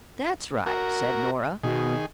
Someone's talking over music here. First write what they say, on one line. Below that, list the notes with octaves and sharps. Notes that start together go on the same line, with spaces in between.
"That's right," said Nora.
F#4 A#4
B2 D#3 G#4